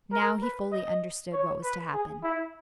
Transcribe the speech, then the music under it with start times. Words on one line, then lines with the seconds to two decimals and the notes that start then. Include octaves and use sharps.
Now he fully understood what was to happen.
0.12 A#4
0.42 B4
0.72 D#5
1.32 C#5
1.64 B4
1.93 G#4
2.23 E4